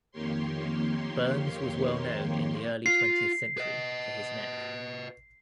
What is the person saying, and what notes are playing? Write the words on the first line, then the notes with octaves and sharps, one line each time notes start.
Burns was well known in the early twentieth century for his neck.
F2 D#3 A#3 G4 C#5 C6
F4 C7
B4 D#5